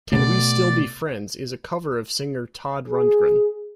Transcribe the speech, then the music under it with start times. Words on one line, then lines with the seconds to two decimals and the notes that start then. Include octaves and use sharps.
"Can We Still Be Friends" is a cover of singer Todd Rundgren.
0.12 B2 A3 D5
2.89 G#4